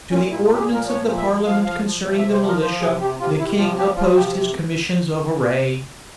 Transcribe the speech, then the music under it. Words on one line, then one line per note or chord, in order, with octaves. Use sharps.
To the ordinance of the parliament concerning the militia, the king opposed his commissions of array.
A#2 C#4
A#2 E4
F4
A#2 G4
G#4
F3 A#4
A#2 C#5
F3
E5
F3
F3 F5
F3 F5
F3
C3
E5
C3
C5
F3
A#4
F3 C5
C3 G#4
C3 G4
C3 F4
C3 E4
F3 F4
F3 G4
F3 F4
C3 G4